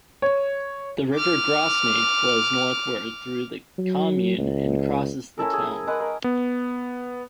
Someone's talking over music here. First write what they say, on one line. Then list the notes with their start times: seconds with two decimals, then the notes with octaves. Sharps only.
The river Grosne flows northward through the commune and crosses the town.
0.22 C#5
1.15 D6 F6
3.78 F#3
4.38 C#2
5.38 C#4 E4 A4 A#4
5.53 G#4
5.71 A#5
5.87 G#3 A#4 B4 F#5
6.00 A#4
6.24 B3